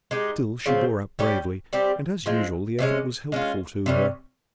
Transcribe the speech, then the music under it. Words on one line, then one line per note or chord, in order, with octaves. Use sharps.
Still she bore up bravely, and as usual the effort was helpful to her.
G#3 D#4 G4
C#3 F3 C4
G3 C#4 G4
G3 C4 G4
F3 G#3 C4
C3 D#3 G#3 C#4
G#3 C#4 F4
C3 G3 C#4